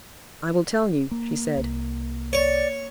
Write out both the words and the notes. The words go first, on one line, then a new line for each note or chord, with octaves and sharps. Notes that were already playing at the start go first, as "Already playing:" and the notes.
"I will tell you," she said.
A#3
C2
C#5 D5